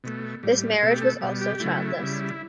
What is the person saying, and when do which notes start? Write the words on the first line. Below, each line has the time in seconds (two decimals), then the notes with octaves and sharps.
This marriage was also childless.
0.04 B2 A3
0.43 A2 G3
0.82 B2 A3 A4
0.93 G4
1.02 A4
1.21 B2 G3
1.41 G4
1.60 C#3 F#3 A3 E4
2.00 C#3 G3